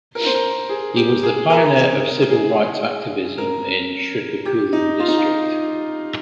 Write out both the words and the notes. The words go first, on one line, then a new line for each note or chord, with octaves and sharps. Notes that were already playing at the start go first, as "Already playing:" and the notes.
He was the pioneer of Civil Rights Activism in Srikakulam District.
A#4
C5
A#4
G#4
G4
G#4
A#4
G#4
A#4
G4
D#4
F4
D#4
F4